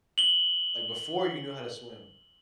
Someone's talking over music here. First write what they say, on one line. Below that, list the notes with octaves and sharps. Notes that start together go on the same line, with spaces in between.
like, before you knew how to swim,
F#7 G7